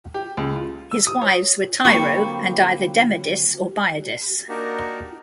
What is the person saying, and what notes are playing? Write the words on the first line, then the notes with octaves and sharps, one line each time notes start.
His wives were Tyro and either Demodice or Biadice.
G4
C#2
F4
E6
D#6
C#5
D3 F#3 A#3 C4 G4 G5 B5 C#6
A#3 D4 D#4 F#4 G4 A#4